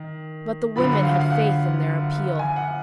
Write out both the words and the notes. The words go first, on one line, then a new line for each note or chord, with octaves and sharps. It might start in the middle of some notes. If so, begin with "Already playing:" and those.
But the women had faith in their appeal.
Already playing: D#3
F#2 D3 F3 B5
F#5
F5
F5
F#5
G#5
F#5